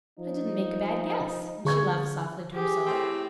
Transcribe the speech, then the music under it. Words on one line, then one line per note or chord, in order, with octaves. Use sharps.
"I didn't make a bad guess;" and she laughed softly to herself.
F3 D#4
D3 G#4 C#6 G#6
G4 G#4
A2 C4